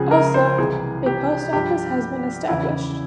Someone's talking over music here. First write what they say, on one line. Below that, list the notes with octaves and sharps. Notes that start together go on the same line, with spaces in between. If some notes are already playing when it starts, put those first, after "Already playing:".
Also, a post office has been established.
Already playing: C#2 C#3 F3 G#4
A#4
C5
C2 C3 E3 G#4
G4
G2 F3 G4
E2 C#3 E3 E4